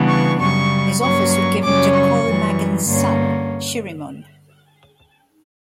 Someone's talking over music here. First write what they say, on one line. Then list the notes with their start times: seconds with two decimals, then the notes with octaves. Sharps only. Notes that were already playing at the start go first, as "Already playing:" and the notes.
His office was given to Chormagan's son, Shiremun.
Already playing: C#3 E3 G3 B3 D4
0.09 C#6
0.39 F#2 C#3 G3 C#6
1.01 G2 F#3 A#3 C#4 C#6
1.32 C#6
1.63 F#2 C#3 G3 C#4 D6
1.94 C#6
2.25 F#2 E3 G3
2.87 G2 D3 A#3 C#4